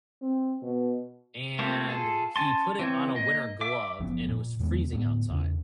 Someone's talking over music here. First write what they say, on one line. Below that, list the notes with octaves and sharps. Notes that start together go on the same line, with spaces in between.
and he put it on a winter glove and it was freezing outside,
C4
B2
A3 A#3 C4 F4
F4 G#4 A4
C#4 G#5 A5 C6
E3 C4 C#5
A#3 D#5
E5 D6
F#1 F3 B3 C#4
A#2
E2 D#3 G#3 B3
D1 A2 B3
E2 C#3 C#4